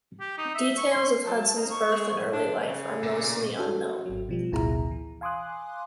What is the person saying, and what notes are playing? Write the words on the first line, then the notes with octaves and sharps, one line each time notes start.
Details of Hudson's birth and early life are mostly unknown.
G4
D#4
E5
C#6
C6
F#3 A5
A#3 D#4 C5 A#5
C#6
G#3
D4
C#3
A#2
C#4 F#4 A4
G#1 F#3
B2 F3 G3
A1 D2 B2 E4 G#4 A#5
E3
F5 G#5 C6 D6 D#6 F#6